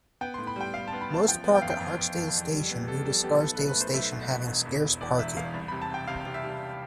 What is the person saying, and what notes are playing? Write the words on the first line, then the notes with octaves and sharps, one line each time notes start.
Most park at Hartsdale station, due to Scarsdale station having scarce parking.
B3 G5
A2 C6
B5
G3 G5
G3 F5
A5
B3
B5
A1 A5
F3 G5
B3
G5
F2 F5
G5
F2
F2
F2
E2
G3
B3
G3 A4
G3 A4
B3 G4
B1 A4
B4
B1
B4
A3 C5
B1 E5
B2
B2
E1
E2
E1
E2 D5
E1 E5
E2 F5
C2
C3 B5
A5
C3 G5
C3 F5
C3
E5
G3